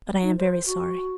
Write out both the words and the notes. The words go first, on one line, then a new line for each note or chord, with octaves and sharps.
But I am very sorry.'
D#4
C5
F#4